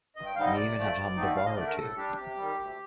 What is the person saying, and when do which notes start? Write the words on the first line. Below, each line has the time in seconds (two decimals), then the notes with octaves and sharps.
I may even have hummed a bar or two.
0.16 G2 D#5
0.26 G5
0.36 D3 G3 C4 D#4 F5
0.46 D#5
0.56 C3 D5
0.76 F3 A3
0.96 D2
1.16 D3 A3 C4 D#4
1.36 D2 F5
1.46 D#5
1.56 D3 A3 D5
1.67 A#4
1.77 A2 A4
1.96 G3 D4 G4
2.16 C3 G4
2.36 D#3 G3
2.57 D2